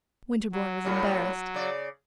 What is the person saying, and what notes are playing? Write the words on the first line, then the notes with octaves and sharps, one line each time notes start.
Winterbourne was embarrassed.
F#3
A2 G3 C#4
C#3 D5